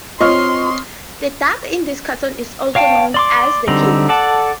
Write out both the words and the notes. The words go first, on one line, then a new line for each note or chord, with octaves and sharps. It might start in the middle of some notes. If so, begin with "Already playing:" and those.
The duck in this cartoon is also known as "The Kid".
C4 F4 C#5 D#5 C6 C#6 F6
C#5 F5 G5 A5
D5 C6 D6
D3 F#3 G3 C4 D#4
A4 D5 F#5 A5